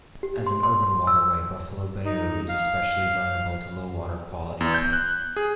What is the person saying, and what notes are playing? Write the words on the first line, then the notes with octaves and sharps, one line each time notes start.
As an urban waterway, Buffalo Bayou is especially vulnerable to low water quality.
G4
C6
C6
E6
D#4
F5
E2
G6
F#6
G#4